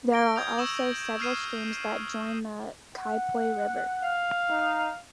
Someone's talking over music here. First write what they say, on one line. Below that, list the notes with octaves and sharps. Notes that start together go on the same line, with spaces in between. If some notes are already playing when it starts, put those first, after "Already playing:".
There are also several streams that join the Kaiapoi River.
A#6 D7 G7
D#6 G6 G#6
C#6 E6 E7 F#7
D#6 F6 G#6 C7 D#7 E7
F#5
F5
D#4